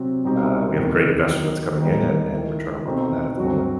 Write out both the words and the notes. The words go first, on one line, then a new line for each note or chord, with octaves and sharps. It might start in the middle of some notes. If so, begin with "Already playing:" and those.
uh, we have a great investor that's coming in and and we're trying to work on that at the moment.
Already playing: C3 F#3 C4 F#4
B2 G3 C4 D#4 G4
E2 C3 D#3 A3
D#3 F#3 B3
D#3 G3 B3 D#4 G4
D#3 A3 E4
B2 A3 C4 D#4
G2 F#3 C4 F#4